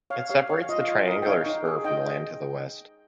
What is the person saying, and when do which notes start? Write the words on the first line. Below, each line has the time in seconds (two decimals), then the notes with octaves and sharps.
It separates the triangular spur from land to the west.
0.10 C#5 F5
0.30 G4 C#5 F5
0.49 C#5
0.60 F5
0.69 F4 D#5
0.80 F5
0.88 F4 D#5
1.08 A#4 D#5
1.22 G5
1.27 D#4 C#5 F5
1.46 D#4
1.66 G#4
1.84 D#4 D#5 G5